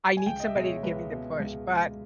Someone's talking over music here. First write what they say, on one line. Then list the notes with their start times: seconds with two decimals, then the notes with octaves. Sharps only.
I need somebody to give me the push, but
0.17 G#5
0.26 C#2 G5
0.40 D#5
0.46 E5
0.55 B2 G#3
0.64 C#5
0.83 C#2 B4
1.11 B2 G#3
1.40 C#2
1.68 B2 G#3